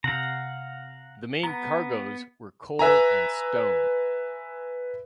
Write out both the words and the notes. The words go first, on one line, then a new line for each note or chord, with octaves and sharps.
The main cargoes were coal and stone.
C3 F5 F#5 A#5
B3 A#5
B4 E5 G#5 A#5